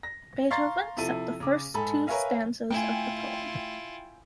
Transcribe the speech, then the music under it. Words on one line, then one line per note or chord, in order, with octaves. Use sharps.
Beethoven set the first two stanzas of the poem.
A#6
F5 A#5 C6 C#6 A6 C7
C3 F3 E4 A4 D#7
C#3 D6
G#2 A4 G#5 B5
A#4 B4 C#5 E5 F5 G#5
A3 E4 F4 G5 G#5